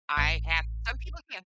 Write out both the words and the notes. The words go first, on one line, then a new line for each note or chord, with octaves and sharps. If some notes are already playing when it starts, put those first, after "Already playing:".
I have some people can,
A1